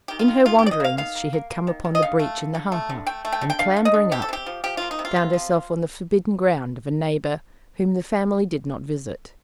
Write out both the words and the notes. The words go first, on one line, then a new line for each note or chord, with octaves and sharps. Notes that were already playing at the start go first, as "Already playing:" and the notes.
In her wanderings she had come upon the breach in the ha-ha, and, clambering up, found herself on the forbidden ground of a neighbor whom the family did not visit.
D#3 G4
F4
D#3
D#3 F4
G4
D#3 D5
D#5
A#3 F5
D#3 F5
A#3
A#3
A#3
D#3
D#3
D#5
D3 F5
A3
D3
D3
A3
D3
A3 G5
A3
G5
D3
G5
D3 F5
D3
D#5
D3
C3 G4
A4
C3 G4
F3
F3 G4
A#3 F4
D#4
C3
F4
C3
F3